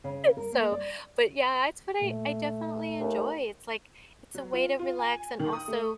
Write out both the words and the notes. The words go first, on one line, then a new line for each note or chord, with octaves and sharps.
so but, yeah, it's what I I definitely enjoy, it's, like, it's a way to relax and also
C#3
A#4
A#3
D5
A#2 A3
D#2
F#3
F4
F4
G#5
D#3
D#6
A3